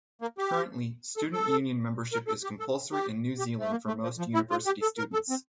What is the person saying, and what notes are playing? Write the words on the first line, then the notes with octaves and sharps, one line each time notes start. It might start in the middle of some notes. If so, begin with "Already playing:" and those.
Currently, Student Union membership is compulsory in New Zealand for most university students.
A#3
G4
A4
A4
A#4
A4
G4
A4
G4
G4
A3
A#3
A3
F3
F3
E4
F4
G4
A4
A#4
A4
C4